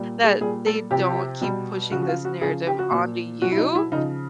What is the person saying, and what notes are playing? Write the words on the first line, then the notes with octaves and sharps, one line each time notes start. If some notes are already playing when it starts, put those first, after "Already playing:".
that they don't keep pushing this narrative onto you
Already playing: A#2 G3
G#4
A#2 G3 G#4
A4
C3 F3 G4
B2 G3
C#3 F3 F#4
F#4
F4
F#4
C#3 F3 G#4
G4
F#4
A#2 F3
B2 F#3 F#4
E4
D#4
E4
C#3 F3 D#4